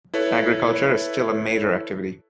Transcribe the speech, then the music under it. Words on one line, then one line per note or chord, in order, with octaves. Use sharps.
Agriculture is still a major activity.
E4 A4 B4 C#5